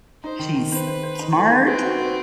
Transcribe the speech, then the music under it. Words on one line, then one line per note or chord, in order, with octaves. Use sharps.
she's smart,
D#4 C5
D#3
D#3
B4 C5
C5
C5
D#4
A3
D#4
C4 B4
F#4
B4